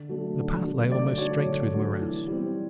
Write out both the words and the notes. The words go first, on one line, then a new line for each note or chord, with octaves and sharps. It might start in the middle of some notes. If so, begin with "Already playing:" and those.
The path lay almost straight through the morass.
Already playing: D3
F#3 A3 D4
D3
F#3 A3 D4
D3 D5
F#3 A3 D4 C#5
D3
F#3 A3 D4
E3
G3 C4